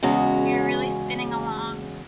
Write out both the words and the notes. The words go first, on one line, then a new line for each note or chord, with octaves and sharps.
We are really spinning along.
E2 C#3 G#3 C#4 F#4